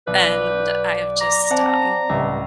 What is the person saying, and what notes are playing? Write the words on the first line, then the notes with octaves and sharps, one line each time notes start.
and I have just, um
B1 B4 D5
G6
A#5 D6 A#6
C4 D5 F#5 A5
C#2 A2 G3